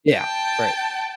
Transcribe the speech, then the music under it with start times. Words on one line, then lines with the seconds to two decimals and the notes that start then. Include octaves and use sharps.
Yeah, right.
0.13 G5 A5